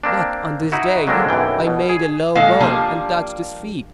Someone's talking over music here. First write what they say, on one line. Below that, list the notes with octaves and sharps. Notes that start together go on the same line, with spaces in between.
But on this day I made a low bow, and touched his feet.
A#3 C4 D4
D#4 E4 F#4
D3 F#3 G#3 A#3 C4 D4
B1 F#2 E3 G5
B2
G#4
A#2 G#3 A4 F5
F3 G3 A#3 D4